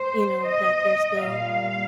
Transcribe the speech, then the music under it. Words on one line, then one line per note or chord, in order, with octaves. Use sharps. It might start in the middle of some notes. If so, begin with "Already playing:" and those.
you know, that they're still
Already playing: C5
D#5
A#2 G3 F5